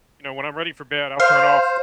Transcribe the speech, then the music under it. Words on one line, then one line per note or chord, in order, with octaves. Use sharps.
you know, when I'm ready for bed, I'll turn off
C5 F5